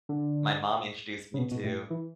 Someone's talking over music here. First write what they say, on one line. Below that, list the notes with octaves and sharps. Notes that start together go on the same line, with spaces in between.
my mom introduced me to.
D3
C#3
B2
B2
A2
E3